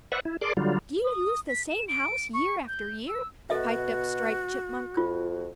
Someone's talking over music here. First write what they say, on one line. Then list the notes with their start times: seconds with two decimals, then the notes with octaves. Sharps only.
"Do you use the same house year after year?" piped up Striped Chipmunk.
0.12 B4 C5 D5 E5 F#5 C#6
0.25 E4
0.41 G#4 A#4 D5 A5 C6 D6
0.57 D3 F#3 G3 F4
1.05 D#6
1.49 B6
1.69 E7
1.88 D7
2.34 C#6
2.68 G6
3.08 E6
3.50 B2 F#4 A4 D#5 E5
4.97 F2 F4